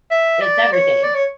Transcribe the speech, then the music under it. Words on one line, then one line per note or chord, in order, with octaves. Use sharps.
It's everything,
E5
D5
C#5
D5
C#5